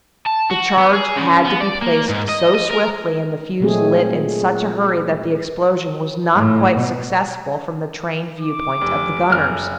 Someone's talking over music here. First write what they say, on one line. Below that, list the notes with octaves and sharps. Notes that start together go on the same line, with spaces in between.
The charge had to be placed so swiftly and the fuse lit in such a hurry that the explosion was not quite successful from the trained viewpoint of the gunners.
A5
F#4
B3
G#4
C#3
B3
D5
A#3
G#2
D#5
D#5
A#4
A#2 F#3 G#3 A3 C4 G#4
A2
B2
D6
F1
F#1 F6